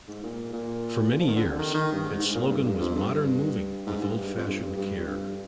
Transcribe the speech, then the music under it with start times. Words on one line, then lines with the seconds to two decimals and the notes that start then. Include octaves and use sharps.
For many years, its slogan was Modern moving with old fashioned care.
0.08 G#2
0.24 A#2
0.53 A#2
1.20 F3
1.27 D#3
1.36 D3
1.44 C3
1.51 D3
1.59 D#3
1.74 D#3
1.92 G2
2.04 G#2
2.20 G#2
2.35 A#2
2.50 G2
2.66 G2
2.80 F2
2.96 G2
3.87 G#2
4.02 G2
4.36 F2
4.47 G2
4.62 G2
4.77 G2
4.98 F2
5.07 G2